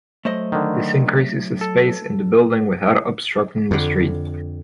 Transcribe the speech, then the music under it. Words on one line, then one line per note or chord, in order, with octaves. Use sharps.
This increases the space in the building without obstructing the street.
F#3 A3 C5 D#5
D3 D#3
A4
F2 D3